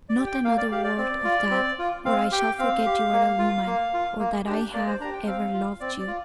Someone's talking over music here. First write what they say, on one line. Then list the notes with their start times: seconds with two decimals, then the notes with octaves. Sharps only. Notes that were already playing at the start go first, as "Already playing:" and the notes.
"Not another word of that, or I shall forget you are a woman or that I have ever loved you."
0.09 D5
0.18 G4
0.26 G5
0.45 A#3 F5
0.58 D5
0.72 G4 F5
0.84 D5
0.98 C4 D5
1.24 F4
1.51 C4
1.79 F4
2.05 C4 F5
2.32 G4 G5
2.59 C4 F5
2.86 G4
3.13 A#3
3.39 F4
3.67 A#3
3.94 F4
4.19 A#3
4.47 D4 G4
4.74 A#3 D5
4.88 C5
5.00 D4 G4 A#5
5.13 G5
5.27 C4 F5
5.54 F4
5.80 C4 D5
5.99 D5
6.07 F4